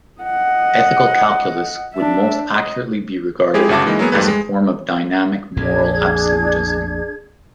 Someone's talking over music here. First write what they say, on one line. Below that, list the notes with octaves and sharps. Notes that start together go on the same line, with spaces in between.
Ethical calculus would most accurately be regarded as a form of dynamic moral absolutism.
D#5 F#5
D4 E5
D#5
G#3 E4 G4 G#4
G1 C#3 F#4 E5 A5 D6
E3 G#3 A#3 D#4
F#3 A#3 B3 G#4
F2 G#2 G3 A3 B4
G#3
A#1 F2 A#2 D4 G#4 G#6